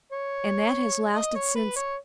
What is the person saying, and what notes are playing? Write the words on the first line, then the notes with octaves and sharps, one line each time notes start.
"And that has lasted since--?"
C#5
D#5
C#5
B4
C#5